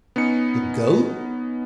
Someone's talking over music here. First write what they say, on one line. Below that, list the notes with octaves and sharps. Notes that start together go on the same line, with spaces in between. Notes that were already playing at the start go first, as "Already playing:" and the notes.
"The goat?"
B3 C#4 D#4 C#7